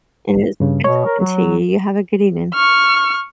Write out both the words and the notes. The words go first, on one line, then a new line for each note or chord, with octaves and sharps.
and it's good talking to you. You have a good evening.
G2 C#3
B2 C#5
A#4
F#3
C#6 F6